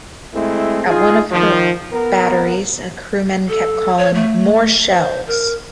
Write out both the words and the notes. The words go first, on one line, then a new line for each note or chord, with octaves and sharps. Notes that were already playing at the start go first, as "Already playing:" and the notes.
At one of her batteries, a crewman kept calling More shells!
G#3 A3 C4 E4
D#4 F4 G#4
D#3 F3
B3 A#4
A4
C#5
A3
C5
A#4